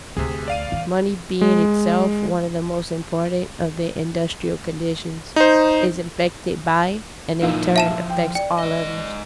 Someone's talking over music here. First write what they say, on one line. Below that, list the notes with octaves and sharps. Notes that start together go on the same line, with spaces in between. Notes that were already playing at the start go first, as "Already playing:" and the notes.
Money being itself one of the most important of the industrial conditions, is affected by and in turn affects all others.
D2 C3 G#4
D5 F5 D#7
E2
G#3
D#4 C5
A#2 F3 D#4 E4 F5
E5 A5 E7
G5
D5 G5
G#2 D#5